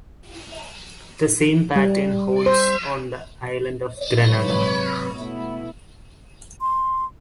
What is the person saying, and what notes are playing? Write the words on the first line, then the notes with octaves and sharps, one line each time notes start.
The same pattern holds on the island of Grenada.
G3
C5
G#2 C3 F#3 B4 C#5
B2 A3 B3 E4
C6